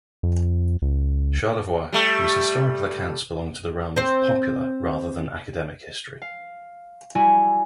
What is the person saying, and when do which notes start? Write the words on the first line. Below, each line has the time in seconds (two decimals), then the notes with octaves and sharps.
Charlevoix, whose historical accounts belong to the realm of popular rather than academic history.
0.23 F2
0.82 C#2
1.92 G3 A3
3.96 C4 C5
6.22 F5
7.15 G3 E4 F#4 G#5